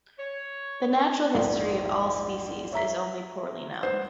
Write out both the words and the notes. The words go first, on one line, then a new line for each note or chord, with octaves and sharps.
The natural history of all species is only poorly known.
C#5
A#1 E2 G#2
C#5 E5 A#5 B6
B4 C5 F#5 C6